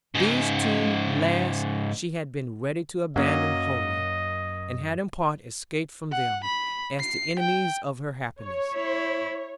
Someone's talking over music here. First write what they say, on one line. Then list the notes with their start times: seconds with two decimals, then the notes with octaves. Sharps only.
These two last she had been ready to abandon wholly, and had in part escaped from them, as the enemies of her happiness.
0.15 G#2 C#3
3.16 F#2 F#3 A#3 C#4 D#5
6.12 F#5
6.45 B5
7.00 C7
7.39 G5
8.43 C#5
8.76 E4